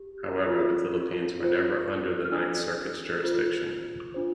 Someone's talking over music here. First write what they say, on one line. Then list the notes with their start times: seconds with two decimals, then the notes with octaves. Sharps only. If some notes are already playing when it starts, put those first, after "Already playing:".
However, the Philippines were never under the Ninth Circuit's jurisdiction.
Already playing: G4
0.49 F4 C5
1.41 F4 C5
2.25 F6
2.32 D4 F4 A4 E6
3.24 F4 A4 C5
4.14 D4 F4 C5